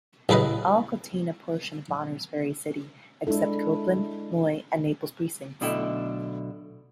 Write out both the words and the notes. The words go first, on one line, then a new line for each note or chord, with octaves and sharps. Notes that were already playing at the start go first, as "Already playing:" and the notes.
All contain a portion of Bonners Ferry City except Copeland, Moyie, and Naples precincts.
A1 C#3 A4 B4 D#5
G#3 D4 E4 A4
B1 B2 D3 A3 E4 G5